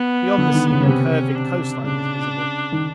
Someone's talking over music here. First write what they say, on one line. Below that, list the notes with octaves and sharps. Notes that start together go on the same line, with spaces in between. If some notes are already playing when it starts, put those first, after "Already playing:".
Beyond the sea, a curving coastline was visible.
Already playing: B3
D3
D#3
C#3
C#3
C3 C#4
D4
C#3 D4
D#3